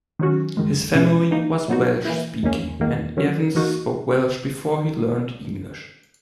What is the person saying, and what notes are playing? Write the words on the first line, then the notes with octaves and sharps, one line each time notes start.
His family was Welsh speaking, and Evans spoke Welsh before he learned English.
D#3 F#3 C#4 F#4
F#2 D#3 G#3
B2 G#3 C#4
E3 A#3 D#4
A#2 F#3 B3 D#4 F#4
E3 A#3 E4
E2 D#3 A#3 C#4
E2 D#3 A#3
D#3 F#3 C#4
E3 A#3 D#4 F#4